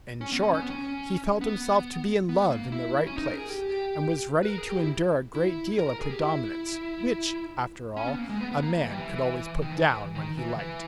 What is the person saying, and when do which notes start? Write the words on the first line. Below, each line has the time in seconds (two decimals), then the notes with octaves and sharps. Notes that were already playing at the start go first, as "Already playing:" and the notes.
In short, he felt himself to be in love in the right place, and was ready to endure a great deal of predominance, which, after all, a man could always put down when he liked.
0.21 C#4
0.32 B3
0.43 C#4
0.54 C#4
0.62 B3
0.70 C#4
1.41 B3
2.29 B3
2.51 A#3
2.72 E4
3.07 C#4
3.16 D#4
3.27 A#4
3.38 G#4
3.49 G4
4.43 B4
4.48 A#4
4.58 G#4
4.69 G4
4.80 E4
5.35 E4
5.78 A#4
5.89 A#4
6.00 G#4
6.11 G4
6.22 E4
7.97 C#4
8.08 B3
8.18 A#3
8.29 G#3
8.40 B3
8.51 B3
8.63 A#3
8.84 E3
8.91 G3
8.98 E3
9.62 D#3
9.72 E3
10.15 D#3
10.37 E3
10.59 E3